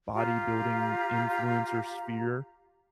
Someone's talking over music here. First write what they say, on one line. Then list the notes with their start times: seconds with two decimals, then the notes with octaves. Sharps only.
bodybuilding influencer sphere
0.13 F4 G4 F5 A#5